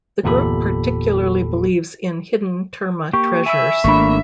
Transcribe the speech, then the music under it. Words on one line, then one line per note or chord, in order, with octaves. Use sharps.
The group particularly believes in hidden terma treasures.
G1 E2 A#2 G4 A4 B5
A#3 G4 C#6
E5 G#5 B5 E6
G#1 A3 A#3 D4 B5 C#6